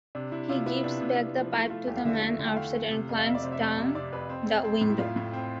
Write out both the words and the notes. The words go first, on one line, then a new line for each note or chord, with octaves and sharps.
He gives back the pipe to the man outside and climbs down the window.
C3 D4
C3 E4
C3 F4
B3 E4
C3 D4
C3
C3
F3
A3 E4
A3 F4
E2 G4
F5
D3 E5
A3
D3
G5
A3 F5
A3
C3
F2
F5
F2 E5
D5
C3 C5
E5
F2
C3
C3 D5
F2 B4
C4
C4
C4
A2
E4
A2 F4
A2
C4